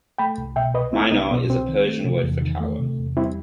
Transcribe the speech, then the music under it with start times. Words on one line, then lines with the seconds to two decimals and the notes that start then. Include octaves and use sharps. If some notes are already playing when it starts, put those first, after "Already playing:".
Minar is a Persian word for tower.
0.18 A3 G5 B5
0.38 C2
0.56 B2 E5 G5
0.74 C2 B4 D#5
0.93 A3 C4 E4
1.11 C2 B3 D#4
1.31 B2 B3
1.50 C2 C4
1.68 D#3
1.87 A3
2.04 C3
2.24 E2
2.42 D#3
2.60 A3
2.79 C3
2.98 E2
3.17 G3 C4 E4